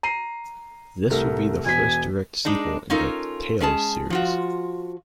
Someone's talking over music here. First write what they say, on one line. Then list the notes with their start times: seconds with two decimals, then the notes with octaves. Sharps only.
This would be the first direct sequel in the "Tales" series.
0.03 A#5 C7 D#7
1.10 C2 A3 A#4
1.66 E1 G#5 B6
2.45 G#3 D4 D#4
2.90 C#4 D#4 F4 A4 A#4
3.60 G#3 C#4 G#4 A5
4.10 F3 F4 F#4